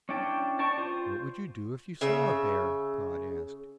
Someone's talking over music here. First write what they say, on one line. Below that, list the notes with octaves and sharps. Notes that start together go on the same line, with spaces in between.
"What would you do if you saw a bear?" Pod asked.
C#4 D4 E4 G5 A5
D5 G5 A5 C#6
F4 C5
C#3 E5